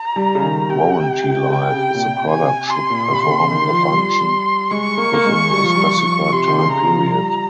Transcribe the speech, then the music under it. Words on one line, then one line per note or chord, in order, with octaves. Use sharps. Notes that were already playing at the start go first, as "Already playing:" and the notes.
Warranty life is the product should perform the function within the specified time period.
Already playing: A#5
G3
C#3
D#3
C3 G5
C3
C3
C#3
C3
A#2
C3
C3 G#5
C3
C3 C6
A#2
C3
D#3
C#3
C#3
D#3
F3
F3
G3
G#3 C#6
A#3
A#3
G#3
G3
F3
G3
F3
C3 C6
D#3
C#3
A#5
F3
G3